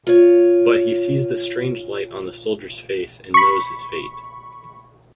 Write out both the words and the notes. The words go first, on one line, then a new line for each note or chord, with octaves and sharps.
But he sees the strange light on the soldier's face and knows his fate.
F4 C#5
B5 C#6